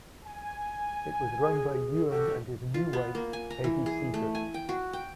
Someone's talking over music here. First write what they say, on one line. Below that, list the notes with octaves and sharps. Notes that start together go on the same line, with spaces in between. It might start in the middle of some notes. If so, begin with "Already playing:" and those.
It was run by Ewan and his new wife, Peggy Seeger.
G#5
G#4
A2 F#4 G4 A4
F4
B3
A#3
G#5
A#5
E3
G#4
A3
G#5
G5
F#4
G5